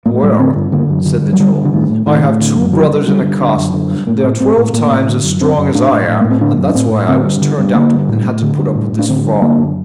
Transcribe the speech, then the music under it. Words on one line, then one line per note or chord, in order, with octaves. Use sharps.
'Well!' said the Troll, 'I have two brothers in a castle; they are twelve times as strong as I am, and that's why I was turned out and had to put up with this farm.
A2 A#3
A3
A2 G3
A3
D3 C4
G2
D3 A#3
F#2
D3
G2
F#3
D3 G3
G2
D3
A2 D#3
A2
A2 D#3
A2
D3
F#2
D3 F#3
G2
D3 G3
G2
D3
F#2
D3
G2
A2 A#3
A2 C4
A2 C4
A2
A2 A#3
A2
D3
F#2
D3 C4
F#2
A2 D4
A2
A2
A2 A#3
C4
D3 D4
F#2
D4
A2 C4
A2
D3 C4
G2
D3
G2
D3 A#3
G2
A2
A2
D3
G2
A2
A2
D4
D3 C4
G2
D3 A#3
F#2